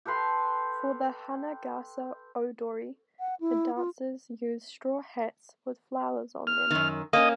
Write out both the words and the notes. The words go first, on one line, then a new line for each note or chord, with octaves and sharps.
For the Hanagasa Odori, the dancers use straw hats with flowers on them.
G4 A4 B4 C6
F#5
E4
F4
F6
F#2 D#3
A#3 C#4 D#5